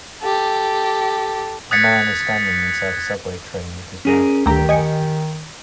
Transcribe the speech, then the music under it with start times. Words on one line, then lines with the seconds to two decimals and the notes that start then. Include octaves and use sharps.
A man is standing inside a subway train with his mouth wide open.
0.22 G4 A4
1.71 D#6 F#6 G#6 A6 B6 C#7
4.05 C#4 G#4 A#4
4.46 D2 D#3 A3 G4 G5 A#5
4.69 D#5 G#5 C#7